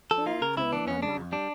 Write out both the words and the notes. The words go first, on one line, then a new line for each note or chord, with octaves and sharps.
Poor, poor mamma!
F3 A4
A#3 F4
C#3 A#4
C#2 E4
E3 D4
F2 C#4
C#3 D4
F2
G3 D4